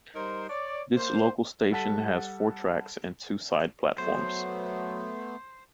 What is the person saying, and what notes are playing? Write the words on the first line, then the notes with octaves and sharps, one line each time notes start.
This local station has four tracks and two side platforms.
G3 D#4 A#4 C5
C#5 D5
A#3 C5
G3 A4 F#5 A5 B6
F#3 A3 B3 C5